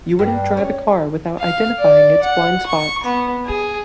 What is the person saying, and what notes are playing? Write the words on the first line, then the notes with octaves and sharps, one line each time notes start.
You wouldn’t drive a car without identifying its blind spots.
G2
C#4
F5
D5
F#5
C#6
B3
G#4